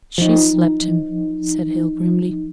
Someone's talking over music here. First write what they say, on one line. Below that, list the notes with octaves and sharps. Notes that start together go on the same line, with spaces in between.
"She slapped him," said Hale grimly.
F3 D#4